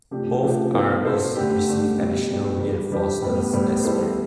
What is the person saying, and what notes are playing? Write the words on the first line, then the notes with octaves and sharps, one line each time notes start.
Both armies received additional reinforcements that spring.
C3 F3 A3 D4 G4
C3 F3 A3 D4 G4
B2 B3 E4 A4 C5
B2 B3 E4 A4 C5
D3 A3 D4 G4
D3 A3 D4 G4
B2 G3 D4 G4
B2 G3 D4 G4
E3 G3 D4 G4 B4
E3 G3 D4 G4 B4
A2 G3 B3
A2 G3 B3
G3 B3 E4 A4 C5